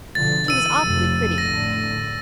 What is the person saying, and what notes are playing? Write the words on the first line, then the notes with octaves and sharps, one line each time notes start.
She was awfully pretty.
B2 D3 F3 A6
E3 E6 D#7
F1 F2
A2 D3 A#6